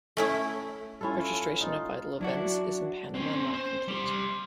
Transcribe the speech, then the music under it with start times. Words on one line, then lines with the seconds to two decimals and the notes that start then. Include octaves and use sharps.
Registration of vital events is in Panama not complete.
0.17 A3 C#4 E4
1.01 C#4 E4 F4 A4
1.61 D#4 F4
2.21 F#3 D4 E4 F#4
3.14 C4 C#4
3.54 C5
3.88 G3 C6